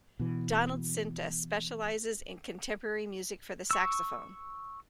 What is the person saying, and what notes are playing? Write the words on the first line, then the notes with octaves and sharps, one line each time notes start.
Donald Sinta specializes in contemporary music for the saxophone.
B2 E3
C#6 E6